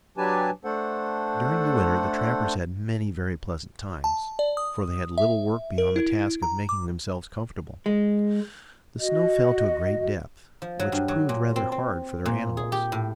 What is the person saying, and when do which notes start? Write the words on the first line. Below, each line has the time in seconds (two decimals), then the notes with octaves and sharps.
During the winter the trappers had many very pleasant times, for they had little work beyond the task of making themselves comfortable. The snow fell to a great depth, which proved rather hard for their animals.
0.17 F#3 D4 G4 B4 G#5 A5
0.64 A3 D4 A4 C5 F#5
4.04 A5
4.39 D5
4.57 D#6
5.18 E5
5.78 A#4
5.96 E4
6.42 A#5
6.69 D6
7.86 G#3
8.98 F#4 D#5
10.62 F3
10.79 F#3
10.92 G2
11.08 F#3
11.29 A#2
11.56 C4
11.72 C4
12.26 A#2
12.57 G#4
12.72 G4
12.92 A2